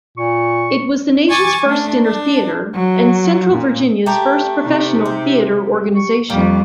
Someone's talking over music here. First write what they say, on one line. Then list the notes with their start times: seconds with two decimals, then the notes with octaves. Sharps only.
It was the nation's first dinner theater and central Virginia's first professional theatre organization.
0.18 A#2 C#6
1.29 G#5 C#6 D6 A6
1.65 A3 D4
2.05 D4
2.75 F#3
3.53 A#2
4.06 A3 G4 G5 A#5
4.65 C3 D#4
5.06 G4
5.96 C#6
6.30 F2 D#3 G3 A#3